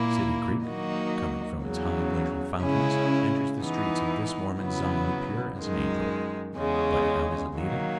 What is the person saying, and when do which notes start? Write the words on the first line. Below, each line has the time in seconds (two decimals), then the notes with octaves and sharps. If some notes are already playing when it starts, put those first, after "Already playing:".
City Creek, coming from its high glacial fountains, enters the streets of this Mormon Zion pure as an angel, but how does it leave it?
Already playing: A#2 A#3 E4
0.65 D#3 F#3 A#3 D#4 F#4
1.62 E2 C#3 F#3 C#4
2.62 C#3 G#3 C#4 E4
3.59 E3 B3 D#4
4.59 C#3 F#3 B3 E4
5.57 F#2 D#3 G#3
6.56 E2 C#3 G#3 C#4
7.55 D#3 F#3 A#3